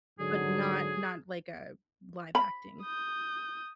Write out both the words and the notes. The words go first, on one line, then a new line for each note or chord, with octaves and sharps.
but not not like a live acting.
G#2 D3 F#3 G#4
B5
D#6 G6